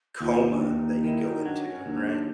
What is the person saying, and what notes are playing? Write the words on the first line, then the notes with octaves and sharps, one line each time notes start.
coma that you go into, right?
D#2 F4
D4
D#2
D#4
D#3 E4
D#4
F#3 D4
C#4
D#2 D4